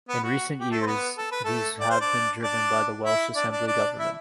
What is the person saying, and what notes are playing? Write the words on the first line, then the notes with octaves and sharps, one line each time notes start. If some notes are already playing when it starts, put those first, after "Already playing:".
In recent years, these have been driven by the Welsh Assembly Government.
B3 B4
F#4
G4
A3 A4
C5
B3 B4
A4
B4
A3 A4
D5
C5
D4 D5
D4 D5
E4 E5
D4 D5
D4 D5
D4 D5
E4 E5